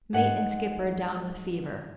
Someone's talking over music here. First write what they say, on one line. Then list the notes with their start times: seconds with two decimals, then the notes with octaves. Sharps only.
Mate and skipper down with fever.
0.13 G#2 F#5